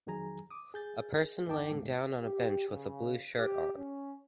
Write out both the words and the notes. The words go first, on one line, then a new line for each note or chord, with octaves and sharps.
A person laying down on a bench with a blue shirt on.
F2 D#3 F#3 G#4 G#5 A#5
D6 D#6
G#4 G6 A6
E2 G2 D#4 G5 A5 D6
D2 G#2 B2
G4
C#3
G4
C#4